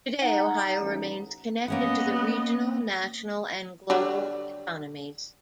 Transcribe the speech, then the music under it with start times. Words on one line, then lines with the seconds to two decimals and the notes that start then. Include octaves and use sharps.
Today Ohio remains connected to the regional, national, and global economies.
0.22 D#4 F#5
0.77 A1
1.68 A#3 B3 C#4 D#5 F#5
3.90 D3 F#3 G3